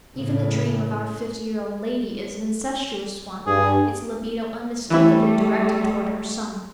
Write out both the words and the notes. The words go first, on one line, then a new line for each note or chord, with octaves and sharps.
Even the dream of our fifty-year old lady is an incestuous one, its libido unmistakably directed toward her son.
A2 C#3
G2 G#4
E3 G3 A3 E4